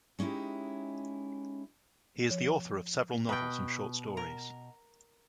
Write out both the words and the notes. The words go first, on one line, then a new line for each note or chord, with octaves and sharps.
He is the author of several novels and short stories.
G#3 C#4 D#4 E4 G4
F3 C#5
B2 B4 G5
A#4